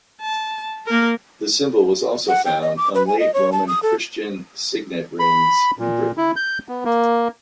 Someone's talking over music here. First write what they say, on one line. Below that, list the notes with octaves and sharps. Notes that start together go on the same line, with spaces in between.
The symbol was also found on Late Roman Christian signet rings in Britain.
A5
A#3 A#4
F#5
G5
D#5
D6
B4
G#5
D#5
C#5
A5
D#6
A4
B5
A#2
E4
G6
B3
A#3